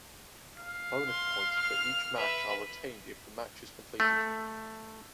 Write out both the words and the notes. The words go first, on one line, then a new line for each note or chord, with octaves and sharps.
The bonus points for each match are retained if the match is completed.
F5
C6
F6
B4 E5
A3